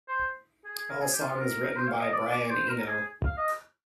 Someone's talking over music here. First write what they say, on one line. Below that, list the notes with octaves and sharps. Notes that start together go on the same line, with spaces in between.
All songs written by Brian Eno.
C5
G#4
G#4
A#4
G#4
G4
F4
A#4
A#4
C5
F5
D#5
D5
D5
C5
A#4
A#4
G#4
F5
D#5